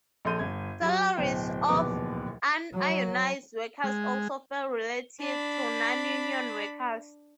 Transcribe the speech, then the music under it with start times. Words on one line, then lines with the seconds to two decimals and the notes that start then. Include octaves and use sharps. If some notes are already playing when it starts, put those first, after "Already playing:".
Salaries of unionized workers also fell relative to non-union workers.
0.25 A#1 A4 C6 G6 D#7
0.39 G1 G#6
0.81 F#3 G4
1.17 D1 B2 C5 G5
1.69 D1 A#1 D#2 B2 B4 D6
2.74 F#3
3.84 G#3
5.21 D4 B5